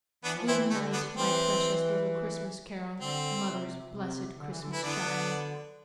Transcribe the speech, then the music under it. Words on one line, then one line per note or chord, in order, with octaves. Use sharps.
"Good night, my precious little Christmas Carol--mother's blessed Christmas child."
E3 B3 D4
F3
E3 C4 E4
D3 A3
B3 D4
E3 C4
D3 C4
C3
C3
D3
E3
D3
E3 E4
D3 B3 D4
E3
D3